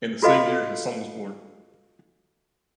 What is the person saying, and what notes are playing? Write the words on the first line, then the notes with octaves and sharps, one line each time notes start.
In the same year his son was born.
F4 F#4 A4 B4 D#5 F5